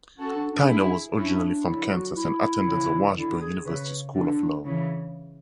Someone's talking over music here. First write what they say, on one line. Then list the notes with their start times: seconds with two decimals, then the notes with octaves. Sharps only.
Tyner was originally from Kansas and attended the Washburn University School of Law.
0.18 C#4 F#4 A4
0.35 D4
0.51 D4
0.68 D4 E4 G#4
1.17 C#4 D4 E4
1.66 D3 F#3 E4
1.92 F#4
2.16 E4
2.66 C#3 E3
3.16 D3 E4
3.41 G#4
3.65 C#3 B4
4.14 D3 D4
4.65 C#3 E3